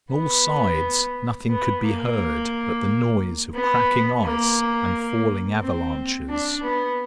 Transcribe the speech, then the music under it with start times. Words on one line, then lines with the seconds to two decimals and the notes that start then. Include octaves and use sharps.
On all sides nothing could be heard but the noise of cracking ice and falling avalanches.
0.11 B3
1.49 B3
1.82 A#3
3.54 B3
4.23 A#3
5.60 C4
6.29 D4
6.63 B3